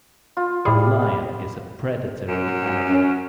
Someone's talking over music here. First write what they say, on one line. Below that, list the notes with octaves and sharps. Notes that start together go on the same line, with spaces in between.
A lion is a predatory animal.
F4
A2 G3 G#4
F#2
C#4